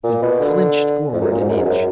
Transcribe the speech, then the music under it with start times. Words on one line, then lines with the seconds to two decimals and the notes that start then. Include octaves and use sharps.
He flinched forward, an inch.
0.04 A#2
0.22 B2
0.40 D3
1.13 F2
1.21 F#2
1.31 A#2
1.40 G#2
1.49 F#2
1.56 G#2
1.65 F#2